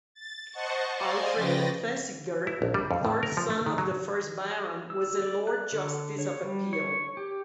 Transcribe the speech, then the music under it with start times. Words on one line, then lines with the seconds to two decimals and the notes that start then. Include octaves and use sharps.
Alfred Thesiger, third son of the first Baron, was a Lord Justice of Appeal.
0.14 A6
0.51 C5 D#5 F#5 A5 C#6
0.94 C5 D5 D#5 F5 G#5 C6
1.35 C#3 F3 B4 G5 A6 A#6
2.47 E4
2.62 A#1
2.74 G3
2.91 F2
3.05 A2
3.23 A#4
3.37 F3
3.50 A3
3.66 D#3
3.78 F#3
4.90 E6
5.22 D5
5.47 F#6
5.72 D3
6.19 C#5
6.43 G3
6.73 C#5
7.17 G4